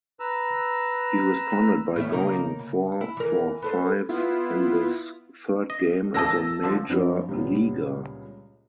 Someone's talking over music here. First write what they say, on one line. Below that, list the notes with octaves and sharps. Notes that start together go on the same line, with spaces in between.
He responded by going four-for-five in his third game as a major leaguer.
B4 A#5 E6
A2 C#4 E5
C#3 A#3 D#4
C#3
E4
E3 A#4
B3 A4 C5
B3 E4 F4
D#5
A1 A#3 D#5 A5 E6 A#6
D3 F3
F#2 F3 B3 C4 D4
C#2 G2 A#2 C#3 G3 B3